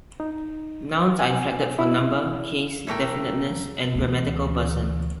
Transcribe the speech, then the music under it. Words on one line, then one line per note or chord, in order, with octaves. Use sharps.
Nouns are inflected for number, case, definiteness, and grammatical person.
D#4
G#5
E4
E3 A3 A#4 G5
D2 E3